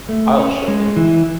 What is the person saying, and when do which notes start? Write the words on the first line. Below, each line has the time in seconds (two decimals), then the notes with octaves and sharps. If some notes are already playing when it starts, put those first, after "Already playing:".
I’ll show him.
0.09 A3
0.38 C#4
0.68 G#3
0.96 E3